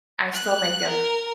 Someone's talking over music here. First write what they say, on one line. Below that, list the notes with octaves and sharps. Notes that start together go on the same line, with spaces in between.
I still make 'em
F#6
A#4